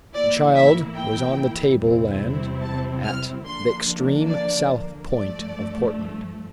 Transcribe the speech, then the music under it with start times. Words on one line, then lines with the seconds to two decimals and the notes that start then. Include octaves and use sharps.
The child was on the table-land at the extreme south point of Portland.
0.13 A2 E3 A#3 E4 D5
0.55 E5
0.96 G5
1.80 E2 C3 G3 C4 E4
2.62 A5
3.04 F6
3.45 D3 F3 A#3 D4 C6
4.28 D5
5.11 G2 F3 A3 D5